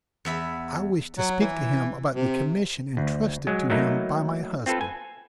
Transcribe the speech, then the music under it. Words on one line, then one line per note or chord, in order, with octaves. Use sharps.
I wish to speak to him about the commission intrusted to him by my husband.
E2 E5 B5
F#3
E3
C3
D2
F#3 G#3
F#3 A3 A#3 D#4 E4
C4 F4 A4 B4
G#5